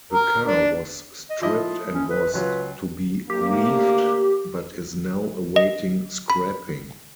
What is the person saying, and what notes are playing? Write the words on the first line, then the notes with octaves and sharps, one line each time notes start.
The car was stripped and was to be reefed, but is now awaiting scrapping.
A#4
D4
D#5
F3 E4 F4 D#5
C#4
B4
C#2 F#3 F4 B4
D2 A3 A#3 G4
D#5
B5